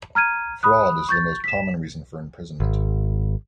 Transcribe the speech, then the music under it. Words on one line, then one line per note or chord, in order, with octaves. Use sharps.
Fraud is the most common reason for imprisonment.
A#5 F6 G#6 D#7
B5 D#6 F#6
C#6 G6 A6
B6 E7
G#1